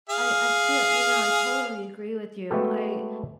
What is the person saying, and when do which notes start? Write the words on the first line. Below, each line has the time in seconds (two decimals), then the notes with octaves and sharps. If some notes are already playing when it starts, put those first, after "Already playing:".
I I feel you know, I totally agree with you, I
0.09 G#4 F5
2.50 G#3 A3 B3 F#4 G4 A4